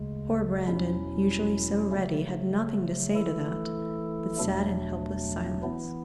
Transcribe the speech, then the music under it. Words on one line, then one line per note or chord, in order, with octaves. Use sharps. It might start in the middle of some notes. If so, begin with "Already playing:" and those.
Poor Brandon, usually so ready, had nothing "to say to that," but sat in helpless silence.
Already playing: D2 C#3 G#3
E2 B2 F#3 C#4 E4
C#3 F#3 A3
E3 A3 E4 A4
E2 B2 F#3 A3 D4
E3 B3 E4